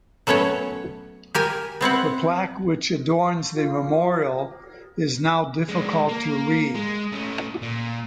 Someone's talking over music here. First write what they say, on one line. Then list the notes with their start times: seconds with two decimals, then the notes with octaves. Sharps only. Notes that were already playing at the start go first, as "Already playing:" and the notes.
The plaque which adorns the memorial is now difficult to read.
0.27 F#3 A3 B3 C#4 C#5
1.35 G4 A#4 G#5
1.81 B3 C4 E4 F#5
3.57 F4
5.69 G#3 D4
6.09 A#3
6.75 G#3
7.12 A3 C#4
7.62 A#2